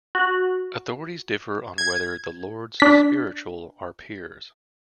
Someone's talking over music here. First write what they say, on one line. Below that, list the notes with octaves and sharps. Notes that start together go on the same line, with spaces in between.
Authorities differ on whether the Lords Spiritual are peers.
F#4
G#6
D4 B6